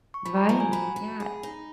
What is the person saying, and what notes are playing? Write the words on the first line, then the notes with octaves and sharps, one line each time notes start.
Right, yeah,
C#6
F3 B5
A#5
F3 A#5
G#5
F#4 B5
F#4
G#4
D#4